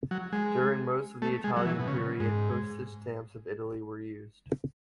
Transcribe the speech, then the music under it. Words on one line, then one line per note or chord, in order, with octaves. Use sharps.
During most of the Italian period, postage stamps of Italy were used.
F#3
G#3
A3
G#3
F#3
E3
B2
C#3
G#2